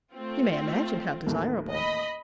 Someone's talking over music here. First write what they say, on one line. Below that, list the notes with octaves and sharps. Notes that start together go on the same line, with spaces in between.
You may imagine how desirable!
A3 C4 F4
A1 D#2 A#3
D#5 B5